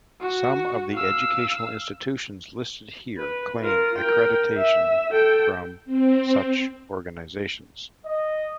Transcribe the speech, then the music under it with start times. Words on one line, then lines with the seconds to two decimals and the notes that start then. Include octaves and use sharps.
Some of the educational institutions listed here claim accreditation from such organizations.
0.20 F#4
0.94 F5 E6
3.18 B4
3.62 F4 A#4
3.98 A#4 G5
4.57 E5
5.11 A4 G5
5.85 C4
8.05 D#5